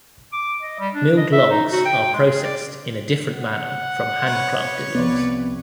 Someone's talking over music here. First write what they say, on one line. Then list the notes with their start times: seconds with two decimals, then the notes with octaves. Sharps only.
Milled logs are processed in a different manner from handcrafted logs.
0.32 D6
0.62 D#5
0.79 G3
0.94 D4
1.17 D#5
1.32 E5
1.50 D#4
1.72 F#4
1.85 G5
2.14 G#3
2.26 G#4
2.43 D5
3.34 F#5
4.27 B4 C#5
4.95 C2 F3 B3 D5